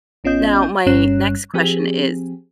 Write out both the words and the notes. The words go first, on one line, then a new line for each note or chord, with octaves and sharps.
Now my next question is
A1 B3 C#4 F4 D#5 G6
G1 G2 G3 C#4 C#5 F#6
F3 C4 G4 G#4